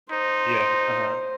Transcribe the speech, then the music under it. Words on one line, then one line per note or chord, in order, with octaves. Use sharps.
Yeah, uh-huh.
D#4 C5